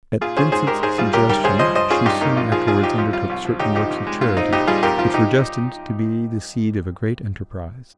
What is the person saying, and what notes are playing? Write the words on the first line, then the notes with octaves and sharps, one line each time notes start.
At Vincent's suggestion she soon afterwards undertook certain works of charity, which were destined to be the seed of a great enterprise.
A#2 F4 G#4
C#4 G#4 C5
G#2 G#4 C5
G#3 G4 A#4
G#2 G#4 C5
G3 F4 G#4
C#2 G4 A#4
G3 G4 A#4
C#2 G#4 C5
F3 C5 D#5
G2 C5 D#5
C#4 F4 G#4
G2 D#4 G4
A#3 D#4
A#1 F4
F3 F4 G#4
G#1 F4 G#4
F3 D#4 G4
F2 F4
G3 F4
C2
F3
C#2 D#4 G4
F3 D#4 G4
C2
G#3
A#2 F4
C4 D#4
A#1 D#4 G4
G3 F4 G#4
F2 G4 A#4
F3 F4
D#4 G4